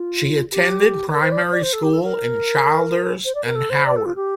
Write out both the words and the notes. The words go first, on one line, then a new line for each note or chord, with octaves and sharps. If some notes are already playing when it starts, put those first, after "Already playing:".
She attended primary school in Childers and Howard.
Already playing: F4
G4
A#4
C5
D5
C5
D5
C5
A4
G4
A4
A#4
C5
D5
A#4
A4
C5
D5
A4
F4
G4